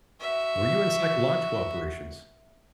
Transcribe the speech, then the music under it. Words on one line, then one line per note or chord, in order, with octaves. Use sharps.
Were you in psychological operations?
F#4 E5